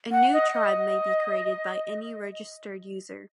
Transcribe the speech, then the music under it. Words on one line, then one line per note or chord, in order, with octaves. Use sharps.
A new tribe may be created by any registered user.
F#5
D#5
D#5